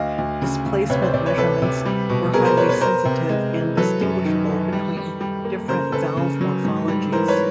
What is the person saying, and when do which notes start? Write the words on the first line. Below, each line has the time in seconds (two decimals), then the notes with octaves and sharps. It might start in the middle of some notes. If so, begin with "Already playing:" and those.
Displacement measurements were highly sensitive and distinguishable between different valve morphologies.
Already playing: D2 D#5 F5
0.18 D2
0.42 C#3
0.66 D2
0.90 C3 B4 C#5
1.02 C5 D5
1.13 C3 C5 D5
1.26 B4 C#5
1.38 C3 A4 B4
1.62 C3
1.86 G3
2.09 B2
2.34 B3 G#4 A#4
2.45 A#4 C5
2.57 B3 B4 C#5
2.69 B4 C#5
2.81 B3 A#4 C5
3.05 C3
3.29 G#3
3.53 E3
3.77 F#3 A4 B4
4.01 F#2
4.25 D#3
4.49 D#3
4.73 G3
4.97 G3
5.21 G3
5.45 A#3
5.68 C#3 A#4 C5
5.92 C#3 A4 B4
6.17 C#3
6.41 F#3
6.64 G#2
6.88 G3
7.12 E3 A#4 C5
7.28 B4 C#5